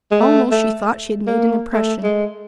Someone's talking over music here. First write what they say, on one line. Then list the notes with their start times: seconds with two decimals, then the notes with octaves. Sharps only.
Almost she thought she had made an impression.
0.11 G#3
0.21 A3
0.51 A3
1.27 A#3
1.73 A3
2.03 G#3